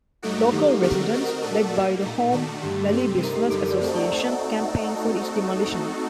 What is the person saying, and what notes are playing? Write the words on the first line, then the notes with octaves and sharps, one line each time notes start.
Local residents, led by the Holme Valley Business Association, campaigned for its demolition.
G2 F#3 A3 D#4 F#4 A4
A4
D#3 F#3 A#3 D#4 G4
A4
G4
D3 A3 C4 F#4 A4 A#4
A3 C4 F#4 A#4 D#5
A#2 A3 D4 F#4 A4 A#4
G3 A#3 F#4
A#2 A3 D#4 A4
D#3 A3 D4 F#4
G2 D3 A3 G4
C3 G3 C4 A4
D3 A3 D#4 A#4
G4
F#2 D3 G3 A4
A#4
D5
A3 C4 D#4 F#4 A4 C5
D5